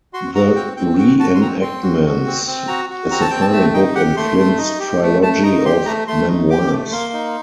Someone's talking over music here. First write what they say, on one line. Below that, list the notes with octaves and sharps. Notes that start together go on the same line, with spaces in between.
"The Reenactments" is the final book in Flynn's trilogy of memoirs.
F#4 C6
F#4 A#5
C4 G5
C4 G5
F#4 G5
F#4 A5
C6
C4 A#5
C4 C6
F#4
F#4
C4
C4
F#4 A#5
F#4
C4 A#5
A5
C4 G5
A5
A3 A5
D#4 G5
G4 F#5
A3 C6
A3
D#4
G4
A3
A3 A5
D#4 A#5
G4 C6
A3 A#5
A3 C6
D#4
G4 D6
D6
A3
A#3 C6
D#4